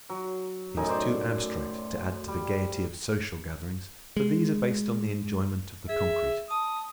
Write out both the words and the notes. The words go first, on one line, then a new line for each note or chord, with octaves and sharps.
He is too abstract to add to the gaiety of social gatherings, for these are based on the enjoyment of the concrete.
F#3
F#2 A2 D#4 G#5
C5 D5
G3
G#3
G#4 E5
A5 D#6